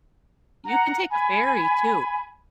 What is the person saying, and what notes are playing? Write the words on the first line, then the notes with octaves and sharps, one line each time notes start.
You can take a ferry too.
F#5 A#5
G#5 B5